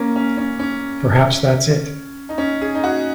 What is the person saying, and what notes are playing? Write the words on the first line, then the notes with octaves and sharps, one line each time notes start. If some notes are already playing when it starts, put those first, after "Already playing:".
Perhaps that's it.
Already playing: A#3 C#4
C#4
C#4
C#4
D#4
C#4
G#4
D#4
F#4